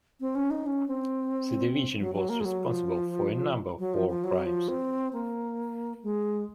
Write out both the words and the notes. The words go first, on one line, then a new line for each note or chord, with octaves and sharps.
The division was responsible for a number of war crimes.
C4
C#4
D#4
C#4
C4
F#3
F#3
A#3
G#3
F#3
F3
F#3
F3
F3
F#3
F3
C4
A#3
G#3